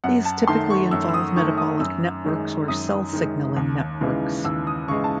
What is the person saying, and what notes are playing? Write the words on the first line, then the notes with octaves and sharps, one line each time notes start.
These typically involve metabolic networks or cell signaling networks.
F#2 F#5
A5
D#3 A3 C6
C#6
F#2 E6
E6
D#6
D#3 A3 C#6
D#6
F#2 E6
D#3 G#3
F#2 D#6
D#3 G#3
D#2
C#3 E3 G#3
D#2 E6
D#6
C#3 E3 G#3 C#6
A5